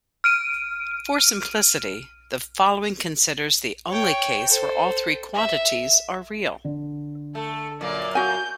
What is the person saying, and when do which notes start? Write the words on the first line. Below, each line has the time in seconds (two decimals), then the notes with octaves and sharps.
For simplicity, the following considers only the case where all these quantities are real.
0.24 F6 D7 D#7
3.89 C#5 G5
4.49 A4 C5
5.34 E5
6.65 D3
7.35 A3 A4
7.81 F#2 A#2 A#3 D5
8.15 F#4 G#5 G6